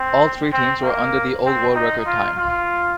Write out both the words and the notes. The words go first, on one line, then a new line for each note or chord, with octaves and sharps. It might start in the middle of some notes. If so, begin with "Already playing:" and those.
All three teams were under the old world record time.
Already playing: C4
C4
A#3
C4
D#4
F4
F4